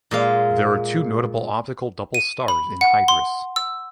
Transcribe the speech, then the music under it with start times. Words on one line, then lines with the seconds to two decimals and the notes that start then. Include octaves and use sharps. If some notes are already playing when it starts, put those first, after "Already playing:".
There are two notable optical double stars in Hydrus.
0.11 A#2 G#3 F5
2.14 D#7
2.48 B5
2.81 F#5
3.08 C6
3.56 E6